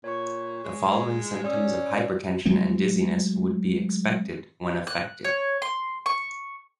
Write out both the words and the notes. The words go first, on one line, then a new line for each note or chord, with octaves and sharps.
The following symptoms of hypertension and dizziness would be expected when affected.
A#2 C#5 C#6
G#3
C#4 D5 D#6 E6
F#3 G#3 A3 C4
F#6
C#5
C6
C#6